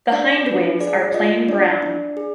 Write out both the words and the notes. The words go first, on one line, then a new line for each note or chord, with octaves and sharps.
The hindwings are plain brown.
D4 D5
D4 B4
G#4 D5
F4 D#5
D4 D5
D4
G#4